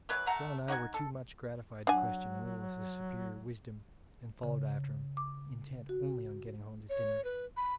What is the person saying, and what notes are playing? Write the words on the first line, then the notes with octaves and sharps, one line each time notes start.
John and I were too much gratified to question Willis's superior wisdom and followed after him, intent only on getting home to dinner.
E3 F#3 B4 C#5
A3 F#5 A#5
D#4 F#4 F#5 G#5
A4
F#3 D4 F#5 G#5
C#3
D6
F#4
C#5
B4
B5